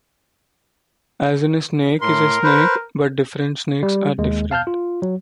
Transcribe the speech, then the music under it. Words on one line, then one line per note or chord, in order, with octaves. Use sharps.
As in a snake is a snake, but different snakes are different.
A2 A#4 C6
B4 C5
G3
D#2 G#3
F5 A5 F6 G6
F4
F#3